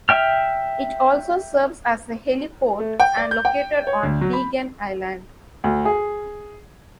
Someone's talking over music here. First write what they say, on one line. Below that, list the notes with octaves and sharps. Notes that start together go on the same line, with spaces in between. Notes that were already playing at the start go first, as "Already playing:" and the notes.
It also serves as a heliport and located on Beigan Island.
E5 G5 F6
A3
G5
D5
G6
G5
C#5
D2
F#3
B5
D2
G#4